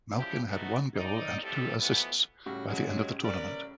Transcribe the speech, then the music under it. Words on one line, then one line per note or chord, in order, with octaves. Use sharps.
Malkin had one goal and two assists by the end of the tournament.
C#3 F3 G3 E4 G4
A3 B3 D#4 F#4
D#4 D5
F2 A2 F3 G3 G4 A4
B2 E3 F3 A3 B3
A2 C#3 G3 F#4
F#3 G#3
A#4 B4 D5